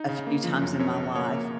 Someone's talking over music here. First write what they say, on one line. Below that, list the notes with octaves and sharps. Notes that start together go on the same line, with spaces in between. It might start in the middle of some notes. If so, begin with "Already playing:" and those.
a few times in my life
Already playing: D#4
C#3
A#3
F3
F#2
F#2 C#5
C#3
A#3 C#5
A#3